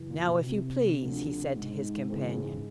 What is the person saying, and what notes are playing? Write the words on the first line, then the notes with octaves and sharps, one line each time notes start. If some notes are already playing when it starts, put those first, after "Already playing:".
"Now if you please," he said to his companion.
Already playing: F#2 C#3 E3
A#2
B2
C3
D2 D3 F3
G#2
C#3 E3 G#3 C4